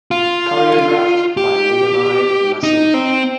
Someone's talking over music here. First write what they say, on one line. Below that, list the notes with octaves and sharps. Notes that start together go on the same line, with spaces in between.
Choreographed by Leonide Massine.
F4
G4
D#4
C4